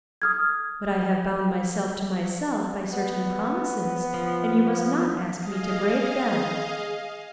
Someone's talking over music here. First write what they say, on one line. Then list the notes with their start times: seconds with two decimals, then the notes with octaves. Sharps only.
But I have bound myself to myself by certain promises, and you must not ask me to break them.
0.22 D#6 F6 G#6
2.93 B3
4.14 F3
5.36 G#4 D#5 F5